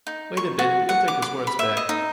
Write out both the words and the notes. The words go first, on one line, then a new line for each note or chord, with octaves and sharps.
Wait a bit, he'll take his words back.
D#4
C#6
F#4
F#5
D6
D6
B5
E5
D#5
D#4